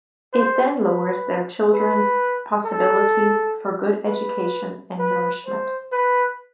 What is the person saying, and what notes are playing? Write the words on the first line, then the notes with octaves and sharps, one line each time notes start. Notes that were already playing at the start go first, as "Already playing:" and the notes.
It then lowers their children's possibilities for good education and nourishment.
C5
B4
B4
A4
B4
B4
C5
B4